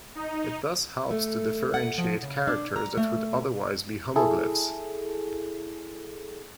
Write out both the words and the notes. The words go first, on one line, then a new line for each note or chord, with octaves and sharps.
It thus helps to differentiate characters that would otherwise be homoglyphs.
D#4
A3
F#5
F3
C#3
D4
A#5
A3
E4 G#4 A4